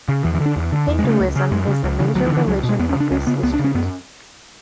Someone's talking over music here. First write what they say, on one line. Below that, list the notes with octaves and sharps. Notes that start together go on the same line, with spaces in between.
Hinduism is the major religion of this district.
C#3
E2 E3
E3
D3
D4
E2
D3
E2
G#3
C#3
A3
C#2
C#3
F#2 G#3
C#3
C#2
C#3 E3
D2 F#3
E3
D3
E3
C#2 F#3
B2
G#3
E2 B3
C#4
C#3
D4
C#2 C#4
C#3 B3
C#2 B3
D4
C#3
C#4
F#2 B3